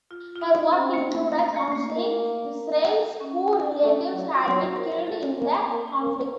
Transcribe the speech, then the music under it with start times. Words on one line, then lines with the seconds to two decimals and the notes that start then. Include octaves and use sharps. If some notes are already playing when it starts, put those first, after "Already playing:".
Her work included counseling Israelis whose relatives had been killed in the conflict.
0.11 F4
0.35 F4
0.41 D#4
0.72 C4 C#4
0.94 A#3
1.13 A3
1.34 A#3
1.56 A#3
1.72 A3
1.75 A#3
1.96 A#3
3.20 C#4
3.84 A3 C#4
4.14 F#3
4.34 F4
4.45 F#3 D#4
4.61 C5
4.76 A#4
4.93 A#4
5.07 A3 A4
5.38 A#3
5.70 A#3
6.01 A#3